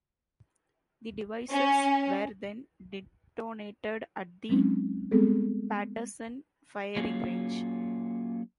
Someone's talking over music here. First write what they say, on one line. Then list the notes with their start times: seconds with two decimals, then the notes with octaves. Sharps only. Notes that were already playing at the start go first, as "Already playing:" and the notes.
The devices were then detonated at the Paterson firing range.
1.50 C#4
4.49 F#3 G#3 C4 C#4 D#4
5.11 G3 G#3 B3 C4 G#4 A4
6.96 F#3 A#3 C#4 F4 F#4 G#4